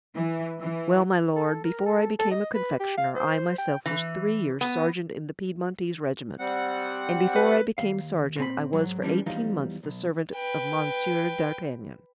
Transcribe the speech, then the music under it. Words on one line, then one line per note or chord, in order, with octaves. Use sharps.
"Well, my lord, before I became a confectioner I myself was three years sergeant in the Piedmontese regiment, and before I became sergeant I was for eighteen months the servant of Monsieur d'Artagnan."
E3
E3
A4
A#4
A4
A4
D#5
B4
G4
F5
C5
G5
E3
B3
G3 C4 F#5
B4
D#2 F5
A#2 C4 G#5 B5
G#2 F#3
E3 G3 C#4 D4
E2 F3 G3 D#4 F5
B1
B4 G5